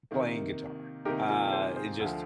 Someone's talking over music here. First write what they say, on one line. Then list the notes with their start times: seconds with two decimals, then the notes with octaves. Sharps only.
playing guitar. Uh, it just
0.11 C3 D#3 A#3
1.05 C3 D#3 A#3 D#4 G4 A#4
1.29 F4 G#4
1.52 G#4 C5
1.76 G#4 C5
2.00 D2 D3 F3